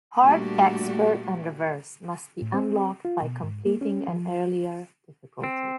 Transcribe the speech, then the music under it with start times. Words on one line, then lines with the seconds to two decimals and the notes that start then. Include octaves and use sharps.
Hard, Expert, and Reverse must be unlocked by completing an earlier difficulty.
0.22 A#2 G3 A3 D4 F#4 G4
2.42 A2
2.54 C4
3.05 F4
3.22 B2
3.43 G#2
3.66 A#3
3.81 C#4
4.08 F3
5.44 C4